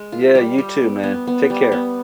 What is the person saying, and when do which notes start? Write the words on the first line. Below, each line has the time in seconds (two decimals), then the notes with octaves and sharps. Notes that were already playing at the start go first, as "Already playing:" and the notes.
Yeah, you too, man. Take care.
Already playing: G#3
0.12 F4
0.35 G3
0.58 G3
0.81 B3
1.03 B3
1.27 B3
1.50 G3
1.72 B3